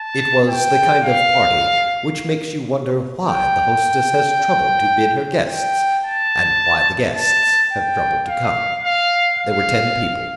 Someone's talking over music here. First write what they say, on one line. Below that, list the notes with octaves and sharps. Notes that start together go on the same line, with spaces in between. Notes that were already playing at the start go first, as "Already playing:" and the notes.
It was the kind of party which makes you wonder why the hostess has troubled to bid her guests, and why the guests have troubled to come. There were ten people.
Already playing: A5
G5
F5
G5
G5
A5
A5
G5
F5
F5
F5